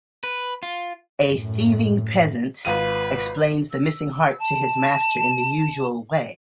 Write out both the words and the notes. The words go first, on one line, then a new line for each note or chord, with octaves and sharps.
A thieving peasant explains the missing heart to his master in the usual way.
B4
F4
F#2 A2
G#1 F4 B4 D#7
E6
A5